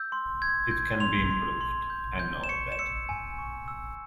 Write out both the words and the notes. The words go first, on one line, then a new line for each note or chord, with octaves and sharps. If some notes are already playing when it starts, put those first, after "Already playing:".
It can be improved; I know that.
Already playing: E6 G6
C6
G6 G#6
G6
C6 F7
C6
C6
G6
G6
E7
C#6 C#7
E7
E6 C#7
G#5
C#6
E6